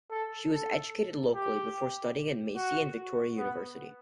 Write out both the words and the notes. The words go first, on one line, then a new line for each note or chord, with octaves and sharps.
She was educated locally before studying at Massey and Victoria University.
A4
A4
G4
F#4
B3